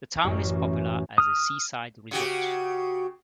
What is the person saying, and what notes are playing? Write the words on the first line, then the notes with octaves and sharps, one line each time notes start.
The town is popular as a seaside resort.
A1 F#2 E3 A#4
D#6 F6
C#3 F#4 G4